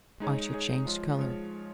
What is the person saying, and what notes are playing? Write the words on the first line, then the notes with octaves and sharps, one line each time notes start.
Archer changed colour.
G#3 D#4 G#4 C#5
G#3 D#4 G#4 C#5
F3 G#3 F4 C#5
F3 G#3 F4 C#5